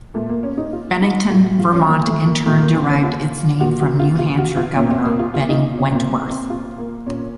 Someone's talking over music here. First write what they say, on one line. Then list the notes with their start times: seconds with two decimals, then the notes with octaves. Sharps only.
Bennington, Vermont in turn derived its name from New Hampshire governor Benning Wentworth.
0.14 A#2 A3
0.29 A#3
0.43 C#4
0.57 D#4
0.73 F4
1.01 D#4
1.30 A2 F4
1.44 F#4
1.59 F4
1.73 C#4
1.87 A#3
2.07 A3
2.26 A#3
2.46 A#2 A3
2.60 A#3
2.75 C4
2.89 C#4
3.03 F4
3.60 A#2 F#4
3.81 F#4
4.00 F4
4.19 F4
4.38 F#4
4.57 F4
4.76 A#2 C#4
4.91 C4
5.05 A#3
5.19 F4
5.34 F4
5.49 D#4
5.78 C#4
5.92 A#2 C4
6.30 C4
6.50 F4
6.78 A#3
7.07 A#2 C#4